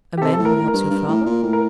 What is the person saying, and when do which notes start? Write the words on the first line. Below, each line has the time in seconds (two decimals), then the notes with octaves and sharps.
"A man who helps your father?"
0.17 G4
0.22 C3 A4
0.34 A4
0.39 A2
0.45 A#4
0.56 A2
0.68 A#4
0.73 G2
0.91 G2
1.08 A2
1.26 A#2
1.43 A2
1.53 A#4